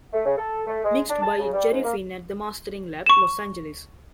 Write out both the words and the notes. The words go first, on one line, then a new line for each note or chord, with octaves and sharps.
Mixed by Jerry Finn at The Mastering Lab, Los Angeles.
A3
C#3
A4
A3
G#3
D4
A5
C#3
G3
G#2
A#3
C#6 E7